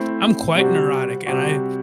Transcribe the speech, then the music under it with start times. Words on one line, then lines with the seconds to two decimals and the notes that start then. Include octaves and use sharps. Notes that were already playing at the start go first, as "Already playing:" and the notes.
I'm quite neurotic, and I
Already playing: A3 C4 E4
0.55 C3 G3 C4 F#4
1.27 C3 G3 C4 F#4